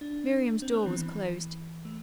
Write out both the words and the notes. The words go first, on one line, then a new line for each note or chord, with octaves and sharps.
Miriam's door was closed.
D4
C4
B3
E3
E3
A3